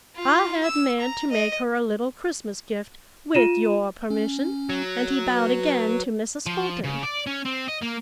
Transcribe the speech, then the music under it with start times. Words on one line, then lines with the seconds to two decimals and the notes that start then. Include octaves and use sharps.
"I had meant to make her a little Christmas gift, with your permission," and he bowed again to Mrs. Fulton.
0.16 F4
0.63 E6
1.00 A#5
1.31 D#5
3.35 F4 D#7 E7
4.10 C#4
4.69 F#3
5.27 B4
6.47 F3
6.84 C#3
7.03 D5
7.27 C#4
7.45 C4
7.69 D#5
7.83 A#3